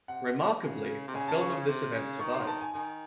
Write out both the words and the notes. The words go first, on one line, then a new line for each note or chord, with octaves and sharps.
Remarkably, a film of this event survived.
C3 F#5
C#3
C3
C#3 G#5
A5
C#6
C3
C#3
D#3 C#6
C6
A5
G#5
D#3 G#5